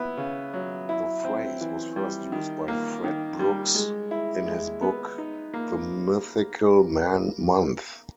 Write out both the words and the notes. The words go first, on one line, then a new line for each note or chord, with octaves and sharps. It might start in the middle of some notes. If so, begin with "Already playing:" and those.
The phrase was first used by Fred Brooks in his book "The Mythical Man-Month".
Already playing: B3 E4
C#3
F#3
E4
C4
E3
G3
D#3
A#3
D#3
G3
G#3
E4
G#3
B3
D#4
A#3